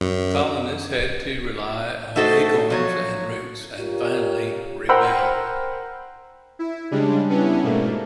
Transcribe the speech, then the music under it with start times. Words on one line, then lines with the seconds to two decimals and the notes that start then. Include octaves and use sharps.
Colonists had to rely on acorns and roots and finally rebelled.
0.01 F#2
2.16 A3 D#4 F#4 A4 A#4 C5
2.70 F3 F#3 C#5
3.78 F4 G4 A#4 C#5
4.89 A#4 C5 F#5 G5 B5 E6
6.59 E4
6.91 C#3 G3 G#3 D4
7.29 G3 B3 C#4 D4 E4
7.64 G#2 B2 A3 A#3